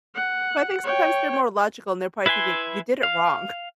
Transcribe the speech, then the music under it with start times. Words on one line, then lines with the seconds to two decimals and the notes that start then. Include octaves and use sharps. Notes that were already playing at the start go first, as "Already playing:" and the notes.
But I think sometimes they're more logical, and they're probably thinking, "You did it wrong."
0.15 F#5
0.84 C#5 G5
2.26 E4 B4 E5 G#5 C6
3.03 F5